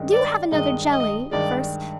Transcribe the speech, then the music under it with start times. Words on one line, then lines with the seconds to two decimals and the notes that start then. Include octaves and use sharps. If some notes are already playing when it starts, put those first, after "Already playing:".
Do have another jelly first.
Already playing: G2 D#3 G#3
0.12 D5
0.51 G2 D#3 G#3 D#5
0.92 D#5
1.31 G2 D#3 G#3 D5